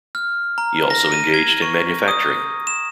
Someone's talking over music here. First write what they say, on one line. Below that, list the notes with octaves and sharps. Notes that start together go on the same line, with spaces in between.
He also engaged in manufacturing.
F6
A#5
A#6
D#7
G#6
C#6
D#6
E7